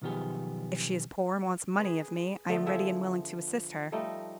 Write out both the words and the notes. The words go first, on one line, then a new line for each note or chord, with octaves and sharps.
If she is poor and wants money of me, I am ready and willing to assist her.
B1 D#3 F3 B3 G4 G#4
G#4 B4
D3 A3 B3
F3 G#4 E5
F3 G3 A3 D#4